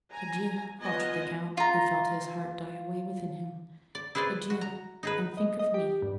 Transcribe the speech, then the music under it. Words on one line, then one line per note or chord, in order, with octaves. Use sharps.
"Adieu," faltered the count, who felt his heart die away within him; "adieu, and think of me."
G#5 A#5
B3 F4 D#5 G#5
F4 A#5
D5
E4 G#4 B4 C5 D5
F#4
A#5
D#4 G#4 B4
D#5
D#5
G4
G2